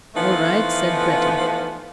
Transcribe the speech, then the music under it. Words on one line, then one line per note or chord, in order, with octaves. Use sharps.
"All right," said Breton.
E3 F3 A3 B3 D#4 F4